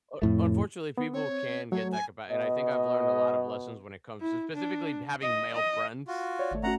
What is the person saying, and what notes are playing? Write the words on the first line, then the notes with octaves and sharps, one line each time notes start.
U unfortunately, people can get that ca ba and I think I've learned a lot of lessons when it comes to specifically having male friends.
F2 A2 A3
B3
C4 C#5
F#3 A3 C#5
G#5
B2 D#5
E4
D4
D#5
D#5
F4 F#4
C#5 D5
G#1 A3
A3 C#4 F#4 F#5 A#5